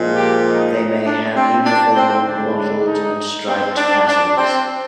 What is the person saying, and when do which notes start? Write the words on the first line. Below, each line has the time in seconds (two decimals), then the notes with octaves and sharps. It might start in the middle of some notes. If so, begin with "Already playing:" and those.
They may have uniform, mottled, and striped patterns.
Already playing: A#2 F3 G#3
0.14 G4
0.45 D#4
1.05 D4
1.35 C4
1.65 D4
1.96 C4
2.26 D3 G#3 D4
2.57 D4
2.87 D#4
3.48 C4
3.77 D4
4.08 D4
4.38 C4